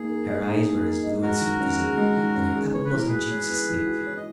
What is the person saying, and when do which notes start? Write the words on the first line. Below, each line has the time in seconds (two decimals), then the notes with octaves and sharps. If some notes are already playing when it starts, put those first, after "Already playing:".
Her eyes were as blue and sweet as ever, and her apple-blossom cheeks as pink.
Already playing: A#3 D#4 G#4
0.09 A#4
0.27 D#5
0.46 D#4
0.65 A#3
0.84 A#4
1.03 D#5
1.22 G#3 F#4 A#4
1.41 D#3
1.61 C#4
1.79 G#4
1.97 G#3
2.17 D#3
2.36 C#4
2.55 G#4
2.73 B3 C#5
2.85 B4
2.93 E3 A#4
3.07 F#4 G#4 B4
3.31 C#5
3.49 B3
3.69 E3
3.87 F#4
4.07 C#5
4.17 D#5